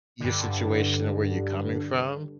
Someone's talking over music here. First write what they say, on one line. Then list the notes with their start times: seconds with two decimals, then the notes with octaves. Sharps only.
your situation and where you're coming from,
0.20 G2 D3